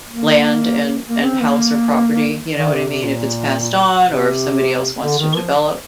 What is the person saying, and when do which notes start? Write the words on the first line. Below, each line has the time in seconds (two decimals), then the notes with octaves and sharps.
land, and and house or property, you know what I mean, if it's passed on or if somebody else wants to develop.
0.09 A#3
1.07 A#3
1.24 C4
1.40 A#3
2.56 D#3
2.72 C3
2.88 C3
3.05 A#2
4.04 C3
5.02 D3
5.19 D#3
5.35 F3